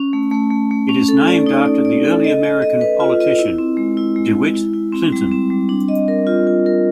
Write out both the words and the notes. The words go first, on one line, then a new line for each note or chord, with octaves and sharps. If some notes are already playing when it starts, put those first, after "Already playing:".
It is named after early American politician DeWitt Clinton.
Already playing: C#4
A3
A3
A3
A3
C#4
A4
D5
D#4
D5
D5
A4
D#5
D#5
D#5
B4
F4
D#5
E4
C4
G#3
E4
G#3
E4
E4
E4
C4
G3
C4
G3
D4
D#5
A#4
F4
F4
A#4